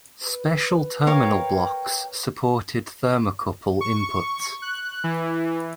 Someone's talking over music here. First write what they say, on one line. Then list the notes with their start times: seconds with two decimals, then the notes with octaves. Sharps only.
Special terminal blocks supported thermocouple inputs.
0.23 B4
1.07 A#4 C#5 F5 G5
3.81 C#6
4.62 F#6
5.04 E3